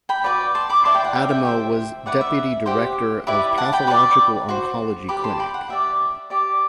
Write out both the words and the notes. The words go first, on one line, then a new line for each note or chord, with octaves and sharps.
Adamou was Deputy director of Pathological Oncology Clinic.
G5 B5
F#4 B4 D5
A5 C6
B5 D6
E4 B4 D5 A5 C6
G5 B5
F#5 A5
E5 G5
E5 G5
G4 C5 E5 G5
E4 B4 D5 F#5
E5
G4 C5 F#5
E4 G4 B4 D5 E5
F#5 A5
G5 B5
F#4 B4 D5 B5 D6
F#4 C5
G4 B4 D5 B5 D6
A5 C6
G5 B5
F#5
G4 D5 E5
G4 D5